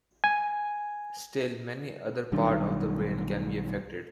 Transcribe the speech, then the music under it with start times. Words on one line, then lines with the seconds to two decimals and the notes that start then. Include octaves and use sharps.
Still, many other part of the brain can be affected.
0.24 G#5
2.32 B1 D#3 G3 D4